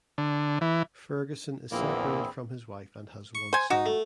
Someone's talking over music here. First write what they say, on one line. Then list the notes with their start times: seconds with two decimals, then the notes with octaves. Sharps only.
Ferguson is separated from his wife and has one son.
0.18 D3
0.61 E3
1.72 A#1 E2 A#3 C4 E4 G#4
3.35 C#6
3.53 C5 G#5
3.70 D#4 F#4
3.86 A3